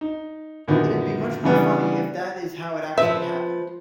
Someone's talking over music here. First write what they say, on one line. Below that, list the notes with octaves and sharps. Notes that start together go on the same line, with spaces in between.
It'd be much more funny if that is how it actually happened.
D#4
F#2 A#2 D3 D#3 B3
C#3 E3 G3 B3 D4 B4
F3 B4 E5